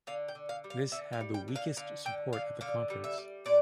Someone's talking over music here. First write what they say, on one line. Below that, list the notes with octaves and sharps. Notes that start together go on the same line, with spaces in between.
This had the weakest support at the conference.
D3 F5
G5
D3
F5
G3
F5
D3 E5
F5
G3
G5
D3
F5
D3 F5
D3 G5
D3 F5
D3 F5
G3
E5
G3
A#2 D5